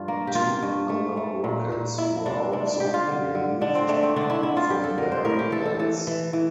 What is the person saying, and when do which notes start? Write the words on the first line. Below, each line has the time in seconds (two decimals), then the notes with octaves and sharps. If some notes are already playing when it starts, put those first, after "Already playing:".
Two other rockets were also removed from their pads.
Already playing: G2 F3 D4 F4
0.08 A#3
0.27 G4
0.35 A#3 F4
0.62 G2
0.89 A3
1.17 A3
1.44 A#2
1.72 A#2
1.98 A#3 E4
2.26 C3 D4
2.53 C3 D4
2.67 D4
2.80 G3 G4
2.94 F4
3.07 D3
3.35 D3
3.61 D3 D4
3.75 C4
3.89 A3 D4
4.03 C4
4.16 D3 D4
4.30 E4
4.43 D3 E4
4.57 F4
4.70 G3 G4
4.84 A4
4.97 D3 A#4
5.12 C5
5.25 A2 A#4
5.39 G4
5.51 E3 A4
5.66 A4
5.79 E3 A4
6.07 E3
6.33 E3